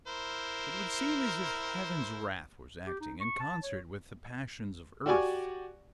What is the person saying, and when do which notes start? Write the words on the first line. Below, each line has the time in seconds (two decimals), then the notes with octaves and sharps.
It would seem as if Heaven's wrath was acting in concert with the passions of Earth!
0.07 E4 A#4 C5
2.87 G4
3.00 D#4
3.21 C#6
3.40 A5
3.63 C#5
5.06 F#4 G4 D5 G#5 C#6